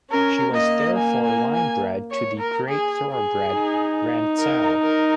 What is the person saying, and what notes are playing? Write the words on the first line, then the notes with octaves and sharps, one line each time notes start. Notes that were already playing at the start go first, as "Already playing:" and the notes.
She was therefore linebred to the great Thoroughbred Rantzau.
C#4 A#4
A#3 D#5
G#5
G#5
G#5
C#5
A#4
G#4
G#4
D#4
A#4
A#4